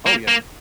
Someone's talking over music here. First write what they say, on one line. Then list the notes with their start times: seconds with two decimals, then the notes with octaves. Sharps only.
Oh, yeah.
0.07 A#3
0.28 A#3